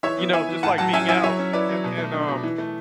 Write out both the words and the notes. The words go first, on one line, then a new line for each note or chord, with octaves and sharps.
you know, just, like, being out, and and, um
E3 C#5 E5
B3
E4 E5 G#5
E3
A2 F#5 A5
F#3 F#5 A5
C#4 E5 G#5
E4 E5 G#5
F#3 C#5 E5
C#4
E4 B4 D5
F#3
B2
A3
D4
B2
E3
A3